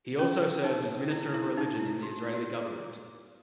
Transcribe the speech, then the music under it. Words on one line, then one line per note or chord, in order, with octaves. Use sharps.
He also served as Minister of Religion in the Israeli government.
C#4
D#4
E4
E4
D#4
E4
F#4
F#4
G#4